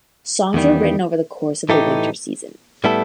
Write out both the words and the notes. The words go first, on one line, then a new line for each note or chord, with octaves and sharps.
Songs were written over the course of the winter season.
E2 D#3 G3
A2 E3 A3 D#4 G4
A2 G3 B3 E4 A4